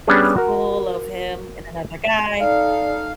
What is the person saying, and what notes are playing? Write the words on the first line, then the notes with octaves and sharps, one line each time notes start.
school of him and another guy.
G3 B3 C#4 D4 G#4
F#4 A#4
D#4 A4 D5 F5